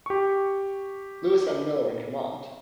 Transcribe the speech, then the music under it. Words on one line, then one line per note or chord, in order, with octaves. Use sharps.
Louis N. Miller in command.
G4 C#6